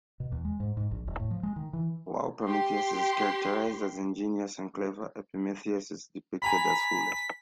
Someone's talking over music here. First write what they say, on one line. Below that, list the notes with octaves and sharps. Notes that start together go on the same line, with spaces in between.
While Prometheus is characterized as ingenious and clever, Epimetheus is depicted as foolish.
B2
E2
G#3
G#2
G#2
A#1
E1
A2
F3
G#3
D#3
E3
G4 C6
G#5 A#5 B5 B6